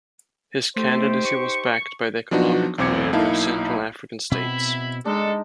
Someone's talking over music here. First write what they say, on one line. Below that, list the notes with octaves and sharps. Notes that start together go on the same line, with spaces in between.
His candidacy was backed by the Economic Community of Central African States.
A3 D#4 G4 C5
C#6
F3 F#3 B3 D4 D#4 F#4
B1 E2 C4 D6 G#6 C#7
B1 A#3 D#4 E4 F5 A5
B2 C4 E4 E5 B5
G#3 D4 D#4 A4